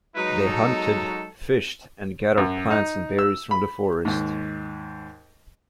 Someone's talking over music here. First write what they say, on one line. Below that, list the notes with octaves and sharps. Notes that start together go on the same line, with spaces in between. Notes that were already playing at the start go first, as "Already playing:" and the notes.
They hunted, fished and gathered plants and berries from the forest.
F#3 G#3 D#4 B4
A4
F#2
D#4
E6
B5
D#2 G#2